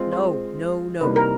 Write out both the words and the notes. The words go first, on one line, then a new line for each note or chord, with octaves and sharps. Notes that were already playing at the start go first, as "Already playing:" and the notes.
"No, no, no!"
Already playing: G#3 C4 F4 G#4
C5
C3 E3 G3 A#3 D#4 B4
A#4